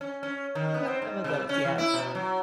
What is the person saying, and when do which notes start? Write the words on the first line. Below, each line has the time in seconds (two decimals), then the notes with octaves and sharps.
we have some of those. Yes.
0.01 C#4
0.23 C#4
0.55 D#3
0.74 B3
0.88 C4
1.02 G#2
1.24 C3
1.49 C#4
1.65 E3
1.78 E4
1.94 B2
2.15 F#3